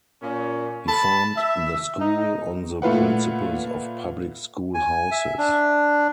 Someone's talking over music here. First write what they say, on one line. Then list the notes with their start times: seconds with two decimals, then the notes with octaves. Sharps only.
He formed the school on the principles of public school houses.
0.22 A#2 C#4
0.87 A5 B5
1.35 E5
2.00 D#4
2.82 A#2 A3 F4 B4 F#5
4.74 G#5
5.12 E5
5.38 D4